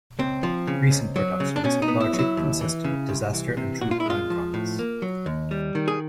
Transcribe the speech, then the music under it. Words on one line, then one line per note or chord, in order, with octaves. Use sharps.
Recent productions have largely consisted of disaster and true crime dramas.
C#2 C4
F3
C#3
C#2
F#3
C#3
D4
B2 C#4
D#4
B3
E4
F#3
E4
D#2
E3
C#3
C2
E3
C3
A#2 F#4
F4
E4
G#3 F4
F3
A2
A#3
F#3
D#2
G3
D#3
G#4